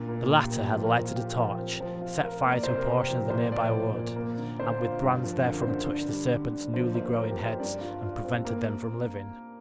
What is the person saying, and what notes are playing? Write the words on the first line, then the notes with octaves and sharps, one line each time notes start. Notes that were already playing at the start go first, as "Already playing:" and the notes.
The latter had lighted a torch, set fire to a portion of the nearby wood, and with brands therefrom touched the serpent's newly growing heads and prevented them from living.
Already playing: A#2 D4
A#3 F4
A#3 G4
A#2
G4
F3 C5
A#4
A#2
F4
F4 G4
F3
C4
F3
F4
A#4
A#3
D5
C3 C5
A#4
C3 G4
F3
A#2 C5
F3 D5
A#2
A#2
A#3
D3
D3 C5
F4
G2
F3
D3 A#4
C5
D3 A#4
D4
G3
D3
D4
F3 C5
A#3 C5
F3 A#4
G4
A#4
C5
G2 D5
F4
F4
C4
A#3